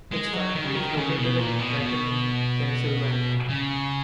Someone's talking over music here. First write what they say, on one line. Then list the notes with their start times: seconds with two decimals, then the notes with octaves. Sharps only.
Its factory is located in Macungie, Pennsylvania.
0.12 G#3
0.33 F#3
0.55 D#3
0.65 C#3
0.75 D#3
0.97 C#3
1.18 B2
1.39 A#2
1.59 B2
1.80 B2
3.49 C#3